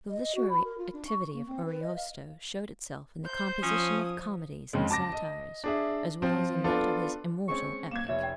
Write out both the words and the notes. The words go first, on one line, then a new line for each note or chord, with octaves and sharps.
The literary activity of Ariosto showed itself in the composition of comedies and satires, as well as in that of his immortal epic.
D#5
F#4
B5
A#4
F4
D4
C#6
A#3
C4
B4
D#5
F5
C5 G6
F3 C#4 D#6
F2 C#3 G#3
A5 D6 A#6
D#5
D4 G#4 E5
F3 C4 F4
B3 D4 F4 A4
G#3 C4 C#4 C#6
A#3 G#6 E7
F1 C#5 E5
G5